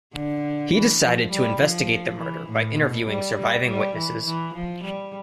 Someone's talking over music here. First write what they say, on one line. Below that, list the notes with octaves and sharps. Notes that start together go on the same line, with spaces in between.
He decided to investigate the murder by interviewing surviving witnesses.
D3
E3
F3
G3
F3
E3
A2
B2
G3
G3
G3
E3
E3
F3
G3